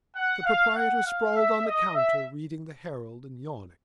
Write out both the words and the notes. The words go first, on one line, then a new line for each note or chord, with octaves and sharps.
The proprietor sprawled on the counter reading the Herald and yawning.
F#5
F5
F#5
F5
E5
D#5
E5